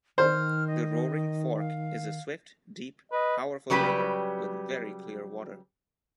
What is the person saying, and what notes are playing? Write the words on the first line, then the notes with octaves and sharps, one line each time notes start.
The Roaring Fork is a swift, deep, powerful river with very clear water.
D#3 C5 F6
D#5
F5
B4 D#5
C#3 F#3 G3 G4 B4